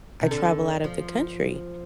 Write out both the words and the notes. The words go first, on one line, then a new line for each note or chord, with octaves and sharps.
I travel out of the country,
C3
D3
F3